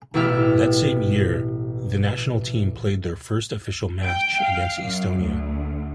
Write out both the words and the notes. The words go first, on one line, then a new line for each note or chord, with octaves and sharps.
That same year the national team played their first official match against Estonia.
A1 B2 E4 G4 E5 F6
G5
F5
F#2
D2